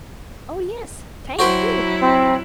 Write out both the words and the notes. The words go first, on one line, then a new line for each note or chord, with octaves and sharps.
Oh yes--thank you.
F#3 E4 F#4 C5 G5
C4